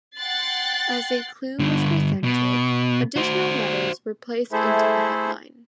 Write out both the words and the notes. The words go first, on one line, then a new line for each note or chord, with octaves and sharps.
As a clue was presented, additional letters were placed into the headline.
F#5 G5 C6 F#6 A6 C7
G2 D3
B2
F#4 C5
A3 E4 G#4 A4 C5 E5